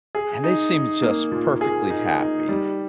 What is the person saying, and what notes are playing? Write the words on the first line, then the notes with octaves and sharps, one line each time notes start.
and they seemed just perfectly happy
G#4
D#4
D#4
A#3
A#2
G#4
D#4
D#4
G3